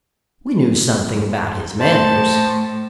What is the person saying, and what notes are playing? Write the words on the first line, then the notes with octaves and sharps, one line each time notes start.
"We knew something about his manners."
A2 C5 A5